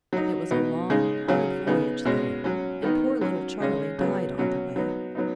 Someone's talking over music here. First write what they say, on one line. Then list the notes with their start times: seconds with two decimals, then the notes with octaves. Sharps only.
It was a long, hard voyage there, and poor little Charlie died on the way.
0.13 F#3 D#4
0.51 B2 B3 D#4
0.90 C#3 G#3 D#4
1.28 C#3 F#3 C#4
1.67 C#3 B3 D#4
2.05 B2 G#3 C#4
2.44 F#3 C#4
2.83 D#3 B3 D#4
3.21 F#3 C#4
3.60 C#3 G#3 C#4
3.99 C#3 F#3 B3
4.38 B2 F#3 C#4
4.76 F#3 B3 D#4
5.15 F#3 B3 D#4